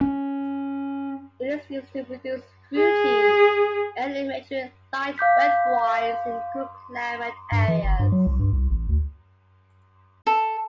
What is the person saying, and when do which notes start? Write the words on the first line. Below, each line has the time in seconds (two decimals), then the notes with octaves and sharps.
It is used to produce fruity, early maturing light red wines in cool-climate areas.
0.01 C#4
2.76 G#4
5.18 F5 D6 G6 B6
7.52 G2
7.68 E3
7.84 G1
7.99 G2
8.12 F#3
8.27 C2
8.39 G2
8.53 C2
8.70 A1
8.89 D2
10.27 A4